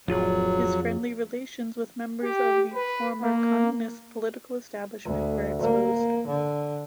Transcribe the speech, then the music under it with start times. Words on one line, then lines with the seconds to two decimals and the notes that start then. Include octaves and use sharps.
His friendly relations with members of the former communist political establishment were exposed.
0.08 D1 F2 F#3 F4 G#4
2.23 G4
2.74 B4
3.22 A#3
5.05 D2
5.62 A#3
6.27 D3